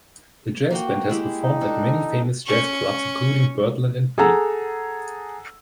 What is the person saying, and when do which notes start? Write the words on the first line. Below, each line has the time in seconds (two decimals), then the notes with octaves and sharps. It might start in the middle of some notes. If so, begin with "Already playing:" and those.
The Jazz Band has performed at many famous jazz clubs including Birdland and B.
0.71 A#3 F#4 G5
1.10 G#3 E4 G4
1.43 D#4
1.61 D4 A4
2.46 C#4 C#6
4.18 G#4 A4 F#5 A#5 E6